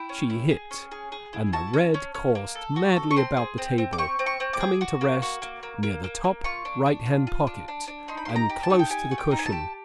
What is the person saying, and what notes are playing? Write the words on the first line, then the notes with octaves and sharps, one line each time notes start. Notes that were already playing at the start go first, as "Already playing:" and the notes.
She hit, and the red coursed madly about the table, coming to rest near the top right-hand pocket and close to the cushion.
Already playing: E4 G5
C#4
E4
G#4
C#4
G#4
G#4
E4
F#4 A5
C#4
C#4
C#4
A#3
A4
F#4
A4
C#6
C4 C6
G#4
C4
C4
D6
C4 C#6
C4
C#6
C4
D6
G#4
F#4
A#3
F#4
A#3
A#3
A#3
A#3
A#3
F4 C#6
D4
D4
F4
F4
D4
D4
D4
D#4 C6
B5
G4 C6
A#5
G4
A5
D#4
G5
G4 G#5
A3 F#5
G5
D#4
G#5
A5
G4